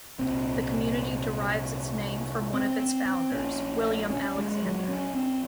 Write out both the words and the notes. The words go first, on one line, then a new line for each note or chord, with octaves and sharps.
The community derives its name from one of its founders, William Alexander.
C2 A#2 C4
C4
C4
C4
A#1 A#2 C#4
C#4
G#3
F#3
C#4
C4